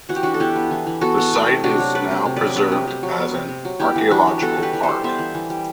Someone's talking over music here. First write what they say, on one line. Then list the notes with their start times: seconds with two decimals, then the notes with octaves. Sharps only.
The site is now preserved as an archaeological park.
0.09 E3 F#4
0.16 G4
0.23 E3 D4 F#4
0.34 A4
0.40 B3 E4 G4
0.56 B3
0.71 E3
0.87 E3
1.01 B3 F#4 A4
1.18 B3
1.33 A3
1.48 C3
1.64 C3 D4 F#4
1.79 F#3
1.95 A3 B4 D5
2.10 C3
2.26 C3
2.36 F#3 B4 D5
2.56 B3 B4 D5
2.72 C3
2.88 C3
3.03 F#3
3.19 B3
3.34 C3
3.49 C3
3.65 F#3
3.80 B3 E4 G4
3.96 E3
4.11 E3 D4 F#4
4.27 G3
4.42 B3 F#4 A4
4.57 E3
4.62 G4 B4
4.73 E3
4.83 A4 C5
4.89 G3
5.04 B3 C5 E5
5.19 E3
5.35 E3
5.50 G3